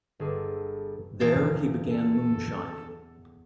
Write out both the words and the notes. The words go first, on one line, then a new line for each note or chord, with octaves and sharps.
There, he began moonshining.
G1 G#4 A4 D6
E2 F5 A5
A4